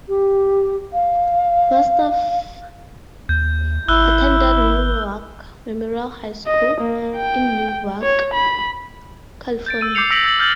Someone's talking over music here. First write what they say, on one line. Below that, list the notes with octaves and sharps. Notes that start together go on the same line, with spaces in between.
Bostaph attended Newark Memorial High School, in Newark, California.
G4
F5
D#2 G6
G#1 E4 E6 F#6 G7
D#5
A#3
G5
C#5
B5
G6 A6 D7
E6 D#7
D6 G6 C7 C#7 F7
E6 A#6 B6 D7 F#7
E6 A6 F#7
F6 G6 A6 F#7